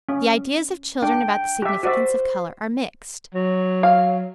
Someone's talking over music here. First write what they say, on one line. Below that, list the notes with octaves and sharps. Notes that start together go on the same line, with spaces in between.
The ideas of children about the significance of color are mixed.
C#4
D4 G5
G4 E5
F#4 C5 D5 E5
F#3
F5